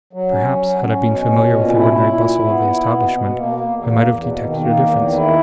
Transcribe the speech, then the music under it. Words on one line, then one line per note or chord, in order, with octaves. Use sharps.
Perhaps, had I been familiar with the ordinary bustle of the establishment, I might have detected a difference.
F#3
C#4
F#3
C#4
C#4
B2
C#4
B2
A#2
E4
E4
A#2
E4
B3
E4
B3
B2
B2
A#3
A#3
E2
A#3
E2
B2
D#3
A#3
E2
D#3
E4